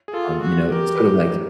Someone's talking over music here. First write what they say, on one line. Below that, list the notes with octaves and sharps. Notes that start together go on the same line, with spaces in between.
um, you know, sort of like,
G#4
F4 A4
F#4
G4 A#4
B4
A#4